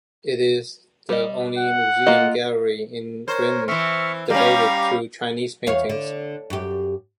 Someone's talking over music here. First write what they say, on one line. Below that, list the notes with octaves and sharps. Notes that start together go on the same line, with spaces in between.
It is the only museum gallery in Britain devoted to Chinese paintings.
G3 D#5
F#5
A#3 F4 D#5
A#4 C5 C#5
E3 C4 E5 C#6 F6
G3 C#4 G4 F5 A#5
E2 C#5 F5
D3
F#2 G4